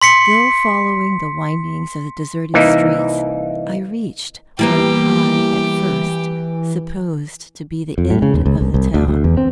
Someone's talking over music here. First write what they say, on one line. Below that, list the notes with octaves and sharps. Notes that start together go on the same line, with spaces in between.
Still following the windings of the deserted streets, I reached what I at first supposed to be the end of the town.
C6 B6 C#7
C2 E3 A#3 D#4
E3 G3 A#3 B3 G4
F2
A2
C#3
D#2
C#2
C2
C2
D2
D2
E2
C4